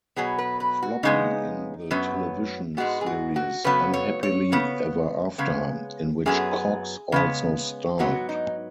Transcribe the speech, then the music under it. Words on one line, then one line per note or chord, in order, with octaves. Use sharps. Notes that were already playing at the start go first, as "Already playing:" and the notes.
Floppy in the television series "Unhappily Ever After" in which Cox also starred.
B2 F#3 B3 G#4
B4
B4
F#4
C#3 G#3 B3 D#4
F#2 F#3 B3
G#2 G#3 B3 F#4
G#4
F#4
F#4
C#3 F#3 B3 B4
C#5
C#5
C#3 B3
C#3 G#3 B3
F#2 F#3 B3 G#4
C#3 G#3 B3
G#2 F#3 B3 F#4
D#4